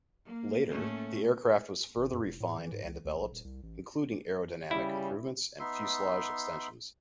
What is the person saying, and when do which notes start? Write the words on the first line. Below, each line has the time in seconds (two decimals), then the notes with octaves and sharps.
Later, the aircraft was further refined and developed, including aerodynamic improvements and fuselage extensions.
0.24 A#3
0.69 A2 A3 A#3 C#4
1.96 G#1
2.12 F#2
2.25 F1
2.40 A2
2.58 E3
2.72 G#2
2.84 C#2
3.05 D2
3.18 A#1
3.31 D#1
3.44 C2
3.63 A1
4.71 C#3 G3 E4
5.60 B3 D#4 E5 C6